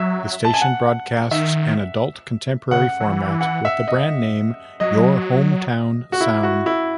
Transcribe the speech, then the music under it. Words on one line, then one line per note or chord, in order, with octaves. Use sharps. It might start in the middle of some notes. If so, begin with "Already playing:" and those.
The station broadcasts an adult contemporary format with the brand name Your Hometown Sound.
Already playing: F#3 E5
A5
G#5
F#5
D#3 E5
C#3 F#5
F#3
E3
F#5
E5
D#5
F#3 D#5
F#4
E4
F#4
E4